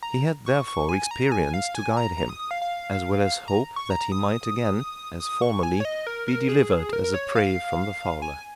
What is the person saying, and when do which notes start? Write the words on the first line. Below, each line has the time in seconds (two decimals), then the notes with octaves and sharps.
He had therefore experience to guide him, as well as hope, that he might again, as formerly, be delivered as a prey from the fowler.
0.03 A#5
0.46 C#6
0.68 C#6
0.89 G#5
1.11 A#5
1.32 G#5
1.54 F5
1.75 G#5
1.97 A#5
2.18 A#5
2.29 D#6
2.39 D#6
2.51 F5
2.62 F5
3.48 A#5
3.76 C#6
3.90 A#5
4.12 D#6
5.20 D#6
5.42 C#6
5.63 G#5
5.80 C#5
5.85 D#5
6.07 A#4
6.28 A#4
6.49 G#4
6.93 A#4
7.04 A#4
7.14 C#5
7.36 F5
8.22 G#5